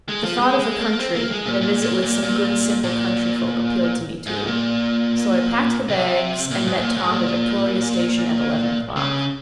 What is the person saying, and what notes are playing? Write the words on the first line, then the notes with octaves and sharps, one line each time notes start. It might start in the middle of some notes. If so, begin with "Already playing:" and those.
The thought of the country and a visit with some good simple country folk appealed to me too, so I packed the bags and met Tom at Victoria Station at eleven o'clock.
G#3
F3
G#3
G#3
A#3
C4
A#3
G#3
A#2
A#2
A#2
A#2
A#2
A#2
G#2
A#2
C3
A#2
G#2
A#2
G#2
A#2
C#3